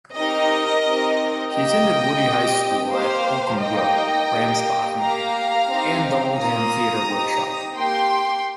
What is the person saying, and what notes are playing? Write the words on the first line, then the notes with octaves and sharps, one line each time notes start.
He attended Woodhey High School at Holcombe Brook, Ramsbottom, and the Oldham Theatre Workshop.
C4 D#4 G4 A#4 D#5
C4 D#4 G4
A#3 G4 D#5 G5
C4 G4
A#3 G4 C5 F5
A#3 D#4 G4 D#5 G5
A#3 G4
A#3 G4 F5 A#5
C4 D#4 G4
A#3 F4 A#5 D#6
C4 D#4 G4
A#3 G4 G5 C6